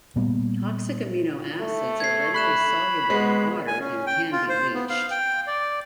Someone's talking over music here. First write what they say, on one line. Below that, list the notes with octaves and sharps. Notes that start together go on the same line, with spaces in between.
Toxic amino acids are readily soluble in water and can be leached.
A#2 G3 A#3 B3
A3
G#6 C7
B5 C#6 F#6 E7
G#3 B3
G#5
C#4
G5
F4
C5
B3
F5
G5
D5